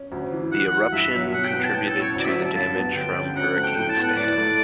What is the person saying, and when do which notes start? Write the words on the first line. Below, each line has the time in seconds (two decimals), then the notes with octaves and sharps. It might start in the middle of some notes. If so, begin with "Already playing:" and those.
The eruption contributed to the damage from Hurricane Stan.
Already playing: C#4
0.12 D2
0.32 E3
0.52 E3 F#5
0.72 F#4
0.92 G2 E5
1.14 F#3
1.33 B2 F#5
1.44 G5
1.54 B3 G5
1.64 A5
1.73 A2 G5
1.87 A4
1.94 C#4
2.01 C#5
2.14 D2 D5
2.25 E5
2.35 F#3
2.45 A5
2.55 G2
2.75 B3
2.95 D3 G5
3.16 C#4
3.36 D2 F#5
3.49 F#5
3.56 A3
3.63 G5
3.76 A2 G5
3.89 A5
3.97 B3
4.03 F#5
4.17 A2 D5
4.38 A3